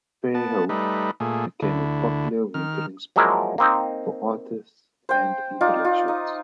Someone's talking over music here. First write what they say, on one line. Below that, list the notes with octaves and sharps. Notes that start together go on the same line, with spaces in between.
Fairhope became a popular wintering spot for artists and intellectuals.
B3 A5
G3 A3 D#4 B4
A#2 A3 G#4
D2 D3 E4
D#3 F6
F3 F#3 G#3 A#3 E4 A#4
A#3 C4 D#4
C5 G5
D#4 F4 D5
F4
D#4